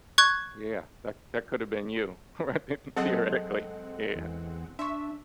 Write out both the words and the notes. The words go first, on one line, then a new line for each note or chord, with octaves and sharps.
Yeah. That that could have been you, right? The thoretically. Yeah.
C#6 F#6 G#6
F#3 G#3 C4 A4 D#5 F#5
E2
D4 E5 C6 C#6